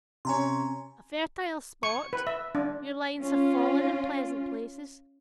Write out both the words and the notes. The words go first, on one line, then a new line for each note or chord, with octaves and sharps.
A fertile spot! your lines have fallen in pleasant places!
C3 C#4 C#5 G#5 A#5 C6
C#6
B4
E5
D4
C#4 F4